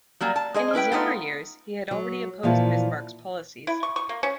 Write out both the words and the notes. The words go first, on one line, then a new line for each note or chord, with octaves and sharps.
In his younger years he had already opposed Bismarck's policies.
F#3 G3 A#3 G#5
A5
G#3 G#4 D#5
C#4 E4 B4 G5
A3 B3 D#4 F4
F#3
A#2 E3 F3 F4
E4
C#6
C#6
A#3
C#4